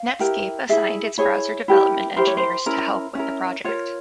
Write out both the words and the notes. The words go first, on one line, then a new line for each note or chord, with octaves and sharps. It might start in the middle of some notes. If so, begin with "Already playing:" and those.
Netscape assigned its browser development engineers to help with the project.
Already playing: F5
E4 G4 A#4
E4 G#4 E5
E4 G#4 C#5
E4 G4 A#4
E4 G4 A#4 C5
C#5
C5
C#4 E4 A#4
C#4 E4 A#4
F4 A#4 C#5